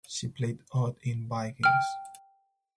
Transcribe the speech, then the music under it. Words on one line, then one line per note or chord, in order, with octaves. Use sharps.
She played Aud in "Vikings".
G5 F6